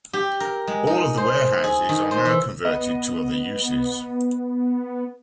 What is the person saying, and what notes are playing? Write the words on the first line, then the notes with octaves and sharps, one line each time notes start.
All of the warehouses are now converted to other uses.
G4
A#4
G#3
D#4
C5
G#4
D#3
C5
E3
B3 D#5